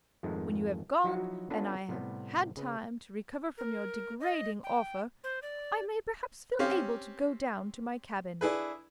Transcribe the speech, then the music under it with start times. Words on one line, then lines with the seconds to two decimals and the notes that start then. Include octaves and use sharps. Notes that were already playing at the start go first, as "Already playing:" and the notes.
When you have gone, and I have had time to recover from your degrading offer, I may perhaps feel able to go down to my cabin.'
0.23 F2 G#2 D#3 G#3 A3
1.04 F3 F#3 D#4 E4 F#4
1.50 B3 C#4 D4 F4 A4 B4
1.89 A2 C3 G3 B3
2.57 C#3 B4
3.58 A#4
4.20 D#5
4.64 G5
5.24 C5
5.42 D5
6.59 C4 C#4 G4 F5
8.41 D4 E4 G#4 B4